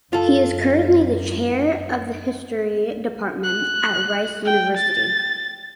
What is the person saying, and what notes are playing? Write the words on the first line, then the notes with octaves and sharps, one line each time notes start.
He is currently the chair of the history department at Rice University.
F#2 F4 A4
F#6
G5
A6